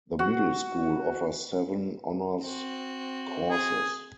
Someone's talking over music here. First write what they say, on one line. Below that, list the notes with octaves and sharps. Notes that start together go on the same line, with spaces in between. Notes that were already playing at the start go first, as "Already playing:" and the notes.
The middle school offers seven honors courses.
F#4
C4 F#4
G#4